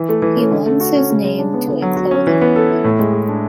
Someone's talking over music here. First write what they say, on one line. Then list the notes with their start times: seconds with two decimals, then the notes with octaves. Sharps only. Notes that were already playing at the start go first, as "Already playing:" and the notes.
He lends his name to a clothing line.
Already playing: E3
0.09 A3
0.22 E3
0.37 C#4
0.51 D3
0.66 A3
0.80 F#4
0.95 C#4
1.10 C#3
1.24 G#3
1.38 D4
1.54 B3
1.68 D3
1.82 F#3
1.97 F#4
2.11 C#4
2.27 E3
2.41 B3
2.56 A4
2.70 E4
2.84 A2
2.99 G#3
3.13 G#4
3.28 D4